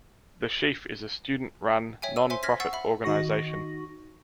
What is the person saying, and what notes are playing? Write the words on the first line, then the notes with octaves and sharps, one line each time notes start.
"The Sheaf" is a student-run non-profit organization.
C#5 E5 G5 G#5
E6 D#7
C5 E5 G#5 C6
F6 G#6 A#6 B6
F#5 C#6 E6 A6 C7
E5 B5
D#3 D#4 F#4 C#6 A#6